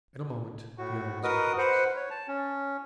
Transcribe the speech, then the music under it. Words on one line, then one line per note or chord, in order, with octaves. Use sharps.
In a moment the other was unconscious.
A2 F#4
F#4 A#4 B4 D#5 D#6
B4 C5 F#5
C#5
A5
C#4